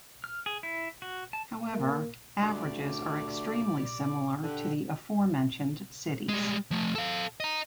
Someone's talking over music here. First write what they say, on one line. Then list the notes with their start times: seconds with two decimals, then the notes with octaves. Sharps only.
However, averages are extremely similar to the aforementioned cities.
0.24 F6
0.46 G#4
0.63 E4
1.02 F#4
1.33 A5
1.71 A#3
2.42 D2 G3 D5 D6
4.43 D3 G4 F#5
6.29 G3 G#3
6.71 F3 A3
6.95 A4 F5
7.40 D#5 A#5